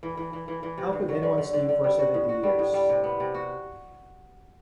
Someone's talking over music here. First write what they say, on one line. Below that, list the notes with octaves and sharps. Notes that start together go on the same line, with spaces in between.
How could anyone sleep for seventy years?
E3
E3
E3
E3
E3
C3
G2
F#3
D3
D3
D3
D3
G3
F#4
A2
F#4
G3
A2
G3
C3
B3
C3
F#4